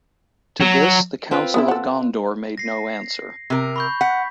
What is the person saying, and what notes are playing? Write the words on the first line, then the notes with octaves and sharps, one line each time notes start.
To this, the Council of Gondor made no answer.
F#3
C4 F4 B4
B3 C#4 E4
A4 F#5
A#6 C7
C3 A#4
B5 C#6 G6
F#5 B6